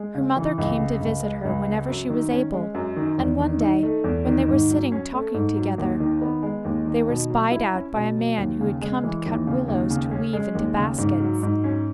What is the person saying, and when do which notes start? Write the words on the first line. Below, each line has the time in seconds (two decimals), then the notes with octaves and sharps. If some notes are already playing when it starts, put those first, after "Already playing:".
Her mother came to visit her whenever she was able, and one day, when they were sitting talking together, they were spied out by a man who had come to cut willows to weave into baskets.
Already playing: G#3
0.15 C#3
0.36 E3
0.58 C#2
0.79 C#3
1.01 C#2
1.23 G#3
1.45 C#2
1.67 C#3
1.88 F#2
2.10 D#3
2.31 C#4
2.53 G#3
2.75 F#2
2.96 D#3
3.18 E2
3.39 D#3
3.61 D#4
3.83 A3
4.04 E2
4.26 D#3
4.48 G#2
4.70 F#3
4.92 C#4
5.13 A3
5.34 G#2
5.56 F#3
5.78 D#2
6.00 D#3
6.22 B3
6.43 G#3
6.65 D#2
6.87 D#3
7.09 B2
7.30 F#3
7.52 E4
7.74 C#4
7.95 B2
8.17 F#3
8.38 D#2
8.61 C#3
8.81 G#3
9.04 E3
9.26 D#2
9.47 C#3
9.68 D#2
9.90 C#3
10.11 C#4
10.33 G#3
10.55 D#2
10.77 C#3
10.98 G#2
11.20 F#3
11.43 G#2
11.64 C#4